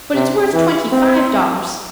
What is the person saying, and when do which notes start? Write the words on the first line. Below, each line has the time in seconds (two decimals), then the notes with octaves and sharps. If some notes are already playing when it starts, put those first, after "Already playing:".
But it's worth twenty-five dollars.
0.15 C3
0.54 E3
0.92 C4